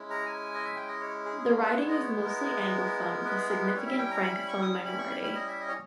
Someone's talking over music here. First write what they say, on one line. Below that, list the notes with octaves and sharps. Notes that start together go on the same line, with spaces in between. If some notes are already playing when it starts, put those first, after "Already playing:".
The riding is mostly anglophone with a significant francophone minority.
Already playing: G#3 C#4 E4
A#5
G#5
D#5
E5
G5
D#5
C#5
G#4
G#4
B4
G#3 B3 E4 C#5
D#5
C#5
A#4
B4
G#4
A#4
B4
G3 C#4 E4 C#5
E5
G5
A#5
B5
B5
C#6
D#6
B5
B5
C#6
B5
B5
D#5
E5
D#5
C#5